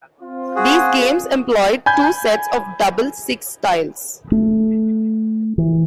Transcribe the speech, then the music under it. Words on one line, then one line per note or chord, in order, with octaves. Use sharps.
These games employed two sets of "double-six" tiles.
C4 F4
F#4 G#4
G#5 B5 G6 G#6
A3
E3